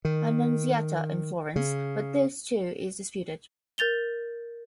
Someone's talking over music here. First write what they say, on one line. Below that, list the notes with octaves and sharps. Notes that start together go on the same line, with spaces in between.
Annunziata in Florence, but this too is disputed.
D#3
C#3
A#4 G6 A6 F7 G7